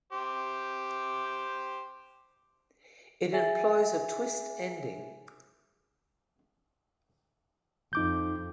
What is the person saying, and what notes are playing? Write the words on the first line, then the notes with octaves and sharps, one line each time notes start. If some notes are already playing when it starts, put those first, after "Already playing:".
It employs a twist ending.
G4 C5
G#4 E5 G#5 A6
F2 D#4 D6 G6